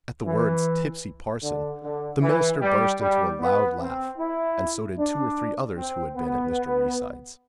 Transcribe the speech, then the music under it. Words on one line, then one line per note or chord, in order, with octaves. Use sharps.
At the words "tipsy parson," the minister burst into a loud laugh, and so did two or three others who had been at Mr. Reeside's.
E3
D3
D3
E3
G3
G3
B3
C4
E4
D4
C4
B3